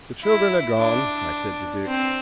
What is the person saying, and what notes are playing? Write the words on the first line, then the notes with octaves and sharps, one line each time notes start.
"The children are gone," I said to Dick.
E4
D4
C4